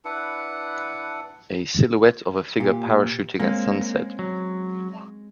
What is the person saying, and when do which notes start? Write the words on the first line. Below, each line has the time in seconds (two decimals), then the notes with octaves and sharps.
A silhouette of a figure parachuting at sunset.
0.05 D4 E4 B4 F#5
2.60 A#2 G4
3.40 G#3 A#3 C4 C#4
4.19 F#3